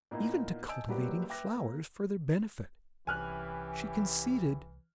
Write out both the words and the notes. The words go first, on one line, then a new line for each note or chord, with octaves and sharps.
"Even to cultivating flowers for their benefit," she conceded.
A#2 A#3 B3 D#4 E4
D#5 G#5 A5 E6 G6 D7
F#1 F#3 G3 G4 A#4 B4
B4 E5 G5 D6 F#6 A#6
A#3
C2 E3 C#4 E4 G4 G#5 F6 F#6